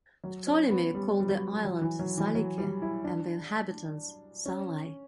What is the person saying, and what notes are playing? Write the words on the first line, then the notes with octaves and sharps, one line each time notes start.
Ptolemy called the Island "Salike", and the inhabitants "Salai".
F#3
C#4
B3
G3
G3
F#3
F#3
E3
F#3
E3
F#3
G3
E4
D4
C#4